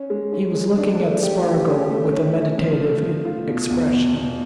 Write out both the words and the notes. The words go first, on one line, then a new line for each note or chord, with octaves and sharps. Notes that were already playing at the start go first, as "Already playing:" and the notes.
He was looking at Spargo with a meditative expression.
Already playing: C#4
G#3
C#4
G#3
D4
A3
G4
G4
C#4
A3
C#4
C#4
F3
A3
F3
F4
B2
E2
B2
B2